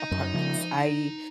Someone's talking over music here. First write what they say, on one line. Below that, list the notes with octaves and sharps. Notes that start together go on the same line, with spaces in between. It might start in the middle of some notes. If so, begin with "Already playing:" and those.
apartments. I
Already playing: D#4
F#2
C#3 F3